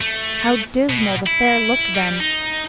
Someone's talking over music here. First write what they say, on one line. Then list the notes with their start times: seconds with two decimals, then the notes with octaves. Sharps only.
How dismal the fair looked then!
0.01 A3
0.89 B2
1.27 E4
1.94 G3
2.20 D#4